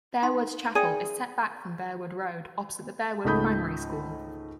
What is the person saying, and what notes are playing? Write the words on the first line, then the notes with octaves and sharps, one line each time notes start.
Bearwood Chapel is set back from Bearwood Road opposite the Bearwood Primary School.
D#4 F5 C6
G#4 D5 E5 G5
C#2 G#2 A3 B5 D#6 G6